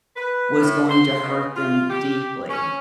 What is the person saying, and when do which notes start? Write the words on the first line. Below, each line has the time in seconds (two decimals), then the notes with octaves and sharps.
was going to hurt them deeply.
0.16 B4
0.60 A2
0.90 C6
1.23 B2
1.55 F4
1.89 G4
2.49 C#4